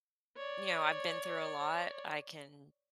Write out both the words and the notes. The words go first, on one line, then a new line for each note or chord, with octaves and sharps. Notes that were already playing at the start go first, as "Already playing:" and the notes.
You know, I've been through a lot. I can
C#5 D5